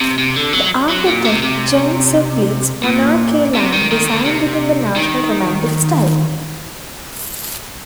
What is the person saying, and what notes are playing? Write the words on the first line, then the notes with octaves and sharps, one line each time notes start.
The architect, Jens Zetlitz Monrad Kielland, designed it in the National Romantic style.
C3
C3
D3
F#3
F#3
A#2
C3
C3
A#2
C3
D#3
D#3
D3
C3
D#3